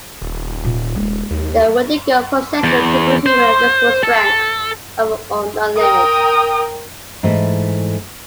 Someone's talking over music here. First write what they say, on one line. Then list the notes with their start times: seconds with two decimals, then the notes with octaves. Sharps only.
The Wendigo possesses superhuman physical strength of an unknown limit.
0.22 D#1
0.64 A#2
0.96 G#3 A#3
1.31 D#2
2.64 E2
3.26 C5
4.03 A4
5.78 A#4 G5 D#6
7.23 G#2 E3 A3 E4 D#5